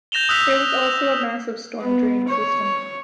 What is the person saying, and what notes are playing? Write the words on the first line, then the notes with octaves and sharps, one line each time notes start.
There was also a massive storm drain system.
G6 A#6 E7 F7 G7
D#6 E6 F#6 B6 F7
E6
B3
C#5